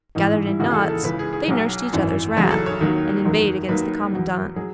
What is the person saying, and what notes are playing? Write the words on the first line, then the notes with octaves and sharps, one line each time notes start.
Gathered in knots, they nursed each other's wrath, and inveighed against the commandant.
A1 G#2 E3 D#4
D#4
E4
E1 D#2 C#3 E3 F#4
G#4
A4
A4
C#2 C#3 E3 B4
G#4
G#4
B1 B2 F#3
G#1 F#2 E3
F#1 E2 C#3 F#3 G#4
A4
C#5
D#2 D#3 F#3
F#1 E2 D#3 F#3
D#2 D#3 F#3 B4
E2 B2 F#3
F#3 G#4